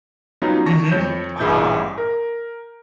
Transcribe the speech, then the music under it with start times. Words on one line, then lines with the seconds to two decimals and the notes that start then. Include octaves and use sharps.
Mhm, ah.
0.42 F#3 G3 B3 C#4 D#4 F4
0.66 A5 C#6 A#6
0.92 F2 C#5 G6
1.39 A1 G2 E4 G#4 G6
1.98 A#4